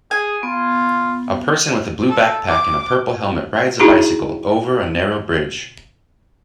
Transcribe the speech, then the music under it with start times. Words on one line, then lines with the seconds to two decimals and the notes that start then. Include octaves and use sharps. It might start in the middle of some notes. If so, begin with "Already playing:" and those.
A person with a blue backpack and a purple helmet rides a bicycle over a narrow bridge.
0.11 G#4 G#5
0.43 B3 F4
2.09 A4
2.49 D6
3.80 D#4 E4 F#4 G#4 A#5